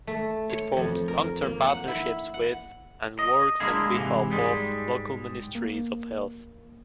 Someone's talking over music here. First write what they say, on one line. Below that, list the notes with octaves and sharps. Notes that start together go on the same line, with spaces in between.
It forms long-term partnerships with, and works on behalf of, local ministries of health.
A3
C#5
F2
A#4
A#3
F#5
E4
F#5
D#5
D3 G#3 A#3 E4 G#4
G#2 C3 D#3 E3
G#2 G3 G#3
A#3